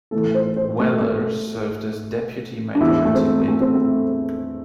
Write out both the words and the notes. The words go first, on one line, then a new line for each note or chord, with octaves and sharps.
Weller served as Deputy Minority Whip.
A2 E3 A4
C5
C5
A3
A3
D4
E2 E3 E4
A3
C4
A3
C4
A3